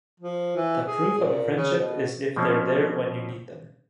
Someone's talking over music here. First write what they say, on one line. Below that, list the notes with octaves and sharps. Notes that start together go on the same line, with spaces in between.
The proof of a friendship is if they're there when you need them.
F3
E3
G#4
A#2
C#3
B2
B2 F3 A#3 C4 C#4